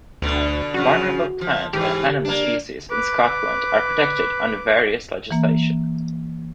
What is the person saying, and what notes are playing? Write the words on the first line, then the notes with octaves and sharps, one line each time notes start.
Vulnerable plant and animal species in Scotland are protected under various legislation.
D2 B2 D3
F#2 C#3 F3 F#4
F3
G#2 E3 G4
A#3 D4
B4 D6
E3 A#3